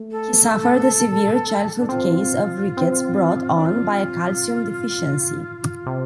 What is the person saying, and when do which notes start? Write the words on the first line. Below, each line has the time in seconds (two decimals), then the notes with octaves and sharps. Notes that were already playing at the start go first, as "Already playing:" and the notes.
He suffered a severe childhood case of rickets brought on by a calcium deficiency.
Already playing: A3
0.12 A4
1.79 D4
1.89 C4 F4
2.77 C4
3.54 D4
3.65 F4
5.43 C3
5.86 C3